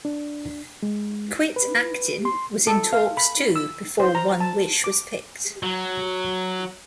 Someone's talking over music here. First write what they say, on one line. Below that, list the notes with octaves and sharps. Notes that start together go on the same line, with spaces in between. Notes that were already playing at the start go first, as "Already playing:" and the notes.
"Quit Actin" was in talks, too, before "One Wish" was picked.
D4
G#3
B4
C6
A4
F5
B5
E6
C5
A#5
A5
D6
F#3